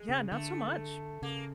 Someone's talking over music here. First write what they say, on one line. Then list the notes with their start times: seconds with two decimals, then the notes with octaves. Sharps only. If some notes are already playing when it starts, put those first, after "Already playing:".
yeah, not so much.
Already playing: G#3
0.09 C#3
0.31 D3 A3
1.22 C#3 A#3